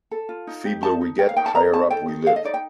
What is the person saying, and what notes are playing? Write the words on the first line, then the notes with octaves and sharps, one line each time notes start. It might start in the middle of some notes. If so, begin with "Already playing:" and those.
Feebler we get, higher up we live.
A4
F4
D#4
G4
D#4 A5
D#4
A#4 G5
F5
D#4 G5
A5
A#4 A#5
D#4 A5
A4 G5
D#4
A4 F5
D#5
D#4 D5
G5